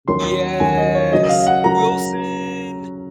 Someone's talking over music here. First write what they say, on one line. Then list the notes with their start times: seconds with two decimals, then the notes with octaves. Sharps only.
Yes. "Wilson!
0.08 D#2 D#3 F#3 C#4 C6
0.60 D#2 D#3 F#3 C#4 G#5
0.77 D#5
0.95 C#5
1.12 C#3 F#3 C#4 F#4 A#4 D#5
1.23 D#5
1.29 F5
1.47 F#5
1.64 C#3 F#3 C#4 F#4 A#4 A#5